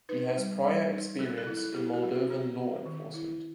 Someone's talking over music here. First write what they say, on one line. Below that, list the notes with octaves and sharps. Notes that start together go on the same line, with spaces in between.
He has prior experience in Moldovan law enforcement.
D#4 B4
G3
G3
D#4
F#3 A4
A4
E4
A4
E4 G4
F#4
F#3
F#4
C4 G4
C4
D#3
E4